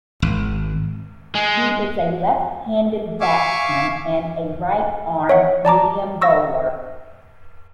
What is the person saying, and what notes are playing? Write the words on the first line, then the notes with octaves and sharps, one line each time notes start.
He is a left-handed batsman and a right-arm medium bowler.
G#1
G#3
E5 F5 G#5 C#6 D6
C#5 E5 F#5
D5 A5 A#5 D6
C#6 E6 A#6